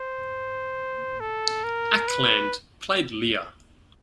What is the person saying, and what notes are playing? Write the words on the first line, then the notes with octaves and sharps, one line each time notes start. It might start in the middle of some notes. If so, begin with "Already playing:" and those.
Ackland played Lear.
Already playing: C5
A4
A#4
B4